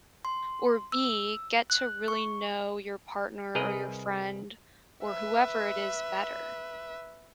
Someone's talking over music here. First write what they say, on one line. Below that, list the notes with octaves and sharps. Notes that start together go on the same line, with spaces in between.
or, B, get to really know your partner, or your friend, or whoever it is, better,
C6
E6
F#6
C#6
C2 G#4 A#4 B4 D#5 A#5
B4 E5